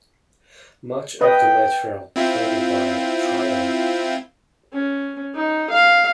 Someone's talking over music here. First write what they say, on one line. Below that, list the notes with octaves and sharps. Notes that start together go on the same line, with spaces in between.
Much of the material performed by Trio!
B4 D#5 G5
C4 E4 F4
C#4
D#4
F5